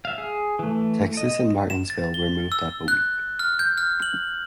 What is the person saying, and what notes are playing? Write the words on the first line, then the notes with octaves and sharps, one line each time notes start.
Texas and Martinsville were moved up a week.
E5 F5
G#4
E3 A3
D#5
E7
A6
G7
E6
F#6
F6
G6
F6
F#7